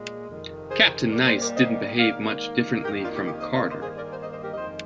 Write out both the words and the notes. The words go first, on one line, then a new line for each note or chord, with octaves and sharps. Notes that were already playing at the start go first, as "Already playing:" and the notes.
Captain Nice didn't behave much differently from Carter.
Already playing: A#2 G#3
F2 C3 D#3
G#4 C5
A#2 G3 A#3 A#4 D5
C5 D#5
A#4 D5
C5 D#5
G#2 D#3 A#3 D5 F5
F2 D#3 A#3 G4 A#4
D4 F4
D#4 G4
D#4 G4
C5 D#5
D5 F5
G2 D#3 A#3 C5 D#5
G#4 C5
A#4 D5
G#4 C5
C5 D#5
C5 D#5
G4 A#4
F2 D#3 G#3 C5 D#5